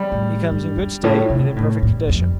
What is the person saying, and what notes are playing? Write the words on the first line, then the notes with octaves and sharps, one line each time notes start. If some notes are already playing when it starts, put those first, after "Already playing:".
He comes in good state, and in perfect condition.
Already playing: G3
A2
G2
G2
A2
C3
A2
A2
F2